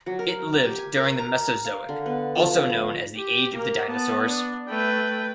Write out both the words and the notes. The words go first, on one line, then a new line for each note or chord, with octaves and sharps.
It lived during the Mesozoic, also known as the age of the dinosaurs.
F#3
A#4
G4
G#5
A#4
A#5
F5
D3
B3
F3
B5
G4
A#3 A#4
B3 A5
D4
A3 B4 G5